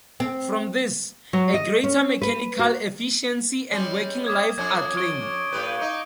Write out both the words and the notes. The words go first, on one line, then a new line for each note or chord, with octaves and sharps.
From this, a greater mechanical efficiency and working life are claimed.
C4
F#3
D#5
C#4
B4
F#4
G3 G#3 C#4
D6 D#6 G#6
F2 C#4 D4 G#6
C#6 D7 G7
A2 G4 B4
D#4